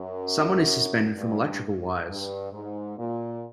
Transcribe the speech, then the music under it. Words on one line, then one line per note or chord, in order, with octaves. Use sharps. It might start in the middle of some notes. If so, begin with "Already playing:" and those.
Someone is suspended from electrical wires.
Already playing: F#2
G2
G2
G#2
A#2